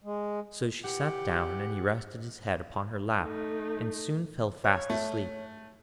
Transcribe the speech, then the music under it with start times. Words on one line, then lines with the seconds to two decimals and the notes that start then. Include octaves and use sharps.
So she sat down, and he rested his head upon her lap, and soon fell fast asleep.
0.04 G#3
0.84 E3 G4 F#5
3.18 A3 D#4
4.64 C#5
4.90 A3